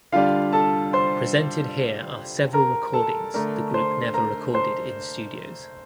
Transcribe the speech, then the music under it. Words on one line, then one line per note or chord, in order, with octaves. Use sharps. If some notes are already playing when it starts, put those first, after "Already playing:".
Presented here are several recordings the group never recorded in studios.
D3 G3 D4 F4 F5
A4 A5
C5 C6
A#4 A#5
A4 A5
D3 A3 D4 A#4 A#5
C5 C6
A#4 A#5
C5 C6